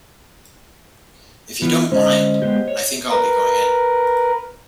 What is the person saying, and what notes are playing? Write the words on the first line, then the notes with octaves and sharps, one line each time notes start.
If you don't mind, I think I'll be going in.
E3 B3 F4
D3 G#3 C#4 C5 D#5
G#3 B3 G4
C#5
A#4 B4